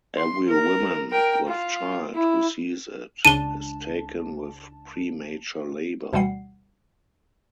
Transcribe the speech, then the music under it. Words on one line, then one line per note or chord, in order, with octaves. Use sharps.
Every woman with child who sees it is taken with premature labor.
C6
A#4
A#4 G5
F4
E4
C#2 D4 A5 D#7 G7
D2 B2 E3 G3 F#5 C7